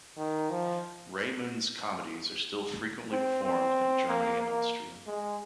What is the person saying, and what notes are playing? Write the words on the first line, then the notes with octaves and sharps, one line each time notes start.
Raimund's comedies are still frequently performed in Germany and Austria.
D#3
F3
C4
C4
A#3
A#3
G#3